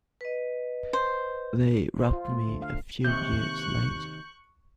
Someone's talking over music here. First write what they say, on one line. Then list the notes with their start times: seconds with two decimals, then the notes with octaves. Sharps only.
They robbed me a few years later.
0.21 B4 D#5
0.93 C5
1.99 C5
2.13 F4
2.30 A3
2.47 D3
2.62 F5
3.04 D#2 C3 C#6 F#6 G6